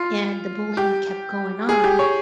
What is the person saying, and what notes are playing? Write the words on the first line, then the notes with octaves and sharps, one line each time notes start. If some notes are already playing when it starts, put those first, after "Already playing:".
and the bullying kept going on,
Already playing: F4
G4
G#4
G4
C#5